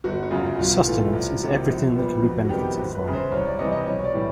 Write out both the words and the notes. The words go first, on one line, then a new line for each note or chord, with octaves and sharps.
Sustenance is everything that can be benefited from.
G1 F#4
F#4
F#2 C#3 F4
B1 F4
A2 E3 A3 F4
C2
C3 D#3 F#3
A#1
A#2 G3 B3
F2 F#4
F#4
C3 D#3 G3 B3 G4
G#1
B4
F#2 C#3
C5
C2 C#5
D5
C3 E3 G3 D#5
D#5
B1 C#5
C#5
D5
A2 E3 G3